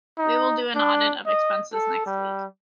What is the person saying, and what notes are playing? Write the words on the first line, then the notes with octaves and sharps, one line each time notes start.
We will do an audit of expenses next week.
D#4
D4
D#5
A4
G3